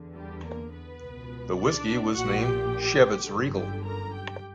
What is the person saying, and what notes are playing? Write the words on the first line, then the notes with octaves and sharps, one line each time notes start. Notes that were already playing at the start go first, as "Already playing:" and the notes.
The whisky was named Chivas Regal.
Already playing: E2 D3
G3 G4
A#3 A#4
B3 B4
C#2 B2
D4 D5
A#1 A#2 F#4 F#5
G4 G5
G1 F#2 D3
G4 G5
A#4 A#5
G4 G5